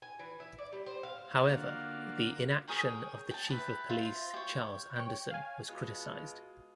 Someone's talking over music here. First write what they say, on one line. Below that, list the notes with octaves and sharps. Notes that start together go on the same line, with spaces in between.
However the inaction of the Chief of Police Charles Anderson was criticised.
G#5
E3
E4
D5
G3
C5
F5
D3 A#3 F4 F#4
G#4 A#4 C#5 G5
G5 A5
G4 B4 E5
F4 C5 E5
G4 C#5
C#5 G5
F5 G#5
B2 G#3 F4